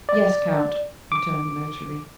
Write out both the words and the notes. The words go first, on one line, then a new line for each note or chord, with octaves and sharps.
"Yes, count," returned the notary.
D5
D6